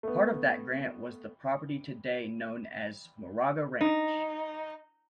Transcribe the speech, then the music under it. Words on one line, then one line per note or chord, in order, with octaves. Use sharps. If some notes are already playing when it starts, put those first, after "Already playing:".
Part of that grant was the property today known as Moraga Ranch.
A3 B3
D#4